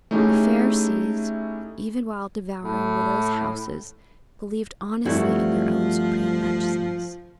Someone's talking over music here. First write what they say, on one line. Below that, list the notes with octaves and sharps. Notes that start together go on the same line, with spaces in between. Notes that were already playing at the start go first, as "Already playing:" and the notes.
The Pharisees, even while devouring widows' houses, believed honestly in their own supreme righteousness.
A3 C#4 D#4 E4 G4 G#4
A2
G2 F3 G3 A3 C4 E4 F#4